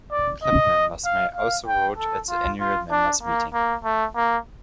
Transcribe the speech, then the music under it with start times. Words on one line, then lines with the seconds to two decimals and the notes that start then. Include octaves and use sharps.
Club members may also vote at the Annual Members Meeting.
0.11 D5
0.43 D#5
1.05 F5
1.35 F5
1.67 G5
1.97 A4
2.29 F4
2.60 F4
2.91 D4
3.23 A#3
3.54 A#3
3.84 A3
4.16 A#3